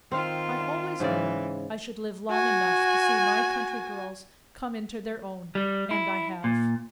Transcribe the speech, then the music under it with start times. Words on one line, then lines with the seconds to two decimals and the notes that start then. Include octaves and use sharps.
I always knew I should live long enough to see my country girls come into their own, and I have.
0.12 D#3 C4 F4 C5 F5
1.00 G#2 C#3 E3 D5
2.30 F#4 G#5
5.55 G3
5.91 E4
6.44 A#2